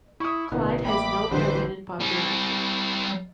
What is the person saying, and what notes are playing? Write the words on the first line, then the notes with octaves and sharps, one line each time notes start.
Clyde has no permanent population.
E4 C#6 D#6
A1 B2 D3 B3 E4 A#4
A1 A#3 E5 G5 B5 D6
A1 D3 E3 F#3 D4 G4 B4 C5
G3 E4